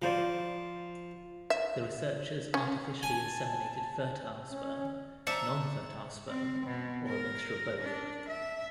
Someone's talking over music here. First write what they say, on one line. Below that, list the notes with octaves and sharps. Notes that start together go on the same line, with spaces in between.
The researchers artificially inseminated fertile sperm, non-fertile sperm or a mixture of both.
F3 A#4 C5 D5
E5
C#4
G#5 A5
C#4
D4 C5 E5 A#5 C#7
C4
B2
A#4
D4
E5